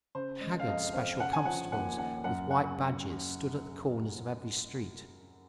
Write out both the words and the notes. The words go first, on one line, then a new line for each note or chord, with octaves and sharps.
Haggard special constables with white badges stood at the corners of every street.
C#3 C5
G#3
F5
F2 D#5
C4 F5
C#3 F#5
G#5
F3 F#5
D#2 F#5
D#2 F#5
F#2 F#5
C#3 F#5